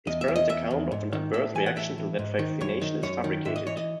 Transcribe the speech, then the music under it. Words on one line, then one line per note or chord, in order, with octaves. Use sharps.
His parents' account of an adverse reaction to that vaccination is fabricated.
E2 D#5
E5
E2
D#5
E2 E5
E2
G#2
D#3
A2 E5
E3 G#5
F#5
A2 E5
E3
G#2
D#3
F#2 C#5
D#3
F#2 C#5
D#3
G#2 E5
D#5
E3 C#5
D#5